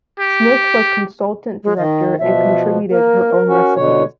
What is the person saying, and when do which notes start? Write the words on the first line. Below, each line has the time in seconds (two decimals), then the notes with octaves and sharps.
Smith was Consultant director and contributed her own recipes.
0.19 G4
1.64 G#3
1.77 D#3 D#5
2.19 B2 F3 E5
2.90 A#3 A#4
3.48 C#4 F#4
3.76 B2 D3 C#5